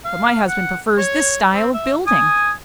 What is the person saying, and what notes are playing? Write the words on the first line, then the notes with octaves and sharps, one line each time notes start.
"But my husband prefers this style of building."
F5
F#5
C#5
C4
E5
G#5 D#6